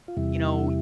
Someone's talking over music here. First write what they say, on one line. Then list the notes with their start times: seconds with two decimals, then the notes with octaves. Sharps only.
you know,
0.08 F4
0.17 E2 C3 G3 E4